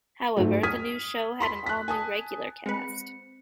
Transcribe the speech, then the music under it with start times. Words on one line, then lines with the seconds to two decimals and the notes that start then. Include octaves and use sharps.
However, the new show had an all-new regular cast.
0.37 G#2 F#3 A3
0.63 D#6 F6 G#6 B6 D#7
1.40 B5 C6 B6
1.66 F#6 B6
1.88 G#5 A5 D#6
2.66 G#3 C4 B4 C#7